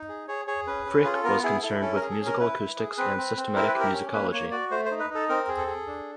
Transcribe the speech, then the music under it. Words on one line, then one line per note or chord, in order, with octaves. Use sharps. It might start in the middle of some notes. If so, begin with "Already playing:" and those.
Fricke was concerned with musical acoustics and systematic musicology.
Already playing: D#4
G#4
G#4 C#5
G#4 C#5
C#4 B4
C#4
F4 G#4
A4
B3 A#4
E4 G#4
E4 A4
C#4 A4
G#4 A#4
A4
C#4
A#4
E4 B4
E4
G#4
C4 B4
C4
C4
E4 A#4
B4
G4 A#4
C#4
A#3 B4
A#3 C#5
F#4 D5
A3 C5
C5
D#4
B4
D#4 A4
C4 A#4
G#4
A4
G#4
D4